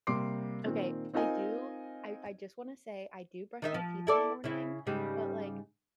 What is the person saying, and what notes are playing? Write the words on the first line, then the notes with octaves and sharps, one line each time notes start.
okay, I do I I just wanna say I do brush my teeth in the morning, but, like,
C3 G3 A#3 C6 D6 C7
A#2 D#3 C4
C4 D#4 F4 A#4 D#5 G#5
D#3 D#4 E5
F3
E4 A4 D5
C#3 E4
G#2 C#3 G3